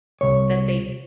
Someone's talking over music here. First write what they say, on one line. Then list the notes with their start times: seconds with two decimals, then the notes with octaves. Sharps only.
that they
0.21 C2 C#5